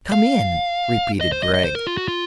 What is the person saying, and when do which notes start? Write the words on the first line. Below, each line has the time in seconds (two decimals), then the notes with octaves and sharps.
"Come in," repeated Gregg.
0.12 F5
1.21 D#5
1.32 C5
1.43 D#5
1.54 D#5
1.64 C5
1.75 A#4
1.87 F4
1.97 F#4
2.08 F4